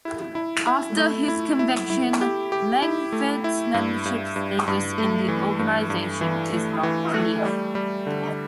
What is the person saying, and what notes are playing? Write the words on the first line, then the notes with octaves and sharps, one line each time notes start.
After his conviction, Langford's membership status in the organization is not clear.
E4
E4
E4
A3
E4
E4
E4
G4
G4
E4
A3
E4
G2
G2
G2
G2
A3
E3
G2
G2
E3
A3
E3
A3
G3
G3
D3